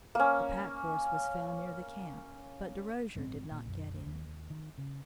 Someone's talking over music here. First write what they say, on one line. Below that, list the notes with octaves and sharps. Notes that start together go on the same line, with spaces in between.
The pack horse was found near the camp, but Derosier did not get in.
A#3 C#4
A#1 G#2 D3 C4
A#2
B1 F#2
D#2
D#3
C#3